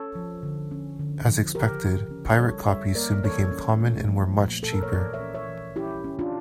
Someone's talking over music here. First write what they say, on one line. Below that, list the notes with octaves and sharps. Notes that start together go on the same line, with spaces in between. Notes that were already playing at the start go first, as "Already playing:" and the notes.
As expected, pirate copies soon became common and were much cheaper.
Already playing: C#4 A4 C#5
F3
D3
C#4
D3
F3
C#3 G4 A#4
F3
C#4
G3 A4 C#5
G3 C#5 E5
A#3 A#4 D5
E3 A4 C#5
C#4
A3
F3
A#2
A#2 A4
A#4
C#5
E3 A#4 D5
C#5 E5
C#4
C#5 E5
E3
C#4 E4 G4
C#4
D4 F4